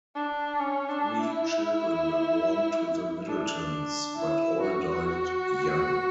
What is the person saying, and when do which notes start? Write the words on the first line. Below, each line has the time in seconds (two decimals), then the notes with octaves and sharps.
Three children were born to the Middletons, but all died young.
0.15 D4
0.60 C#4
0.89 D4
1.19 E4
3.27 D4
4.17 E4
4.62 F#4